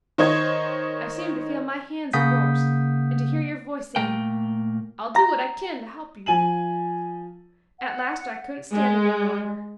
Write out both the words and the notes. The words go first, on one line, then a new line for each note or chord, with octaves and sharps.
I seemed to feel my hands in yours and to hear your voice saying, 'I'll do what I can to help you.' At last I couldn't stand it any longer.
D#3 C5 C#5 D#5 G#6
C#3 A#3 F#5 D#6 G6 B6
A#2 A3 A#4 G5
A#5
F3 G#5 D#7 F#7
F#5
G#3